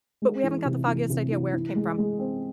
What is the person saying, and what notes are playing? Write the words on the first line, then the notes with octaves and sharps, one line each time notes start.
but we haven't got the foggiest idea where it came from.
G#3
E3
C3
E3
C3
E3
E3
G#3
G#3
C4